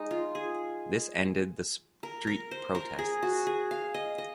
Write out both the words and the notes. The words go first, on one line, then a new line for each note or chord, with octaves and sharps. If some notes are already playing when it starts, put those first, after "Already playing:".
This ended the street protests.
Already playing: G#3 D#4
F4
G#4
A#4
A#4
C5
A#4
G#4
F#4
G#4
F5
D#5
D#5